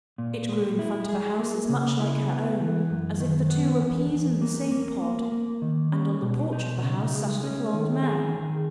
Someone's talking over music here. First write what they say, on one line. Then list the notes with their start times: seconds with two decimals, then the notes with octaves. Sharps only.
It grew in front of a house as much like her own as if the two were peas in the same pod; and on the porch of the house sat a little old man.
0.18 A#2
0.49 G#3
0.79 E4
1.09 G#4
1.39 A#3
1.69 C#3
2.00 E4
2.30 B3
2.60 E3
2.90 F#2
3.20 D#3
3.50 B3
3.81 E2
4.11 E2
4.42 A#3
4.72 A#3
5.02 A#3
5.32 A#3
5.62 D#3
5.92 C#4
6.22 B2
6.53 D#4
6.83 C#3
7.13 G#3
7.43 C#4
7.73 D#3
8.03 G#4
8.34 D#3